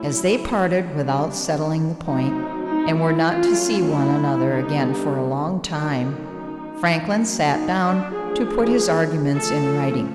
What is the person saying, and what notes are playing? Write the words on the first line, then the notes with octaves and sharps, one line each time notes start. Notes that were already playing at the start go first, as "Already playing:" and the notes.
As they parted without settling the point, and were not to see one another again for a long time, Franklin sat down to put his arguments in writing.
Already playing: F#3 A3 C#4 E4
G3 C4 D4
F#3 A3 C4 D#4
D#4
E4
F#3 A3 C#4 F4
E4
D3 G3 B3 D#4
D#3 F#3 A3 C#4 D4
D#4
F#3 A#3 C#4
D#4
D4
F3 A3 D4 G#4
F3 A3 C#4 A4